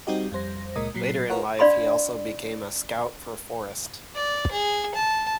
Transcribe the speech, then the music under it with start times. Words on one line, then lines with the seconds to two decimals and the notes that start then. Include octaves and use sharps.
Later in life, he also became a scout for Forest.
0.07 G3 C4 D#4 F#4 G4 D#5
0.32 F2 G3 C5 A#6
0.76 C#2 A#2 G#3 A#4 D#5 D#6
0.95 A#2 F#3 B6 C7
1.30 F4 A#4 B4 C#5 F#5
1.59 D4 D5 F5 B5 C6
4.15 D5
4.51 G#4
4.95 A5